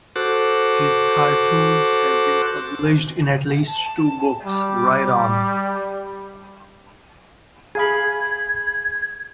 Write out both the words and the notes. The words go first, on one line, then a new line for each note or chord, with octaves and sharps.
His cartoons have been published in at least two books: Wright On!
F#4 A4 C5 D6 F#6
A5
G3 D6
G#4 F5 B5 G#6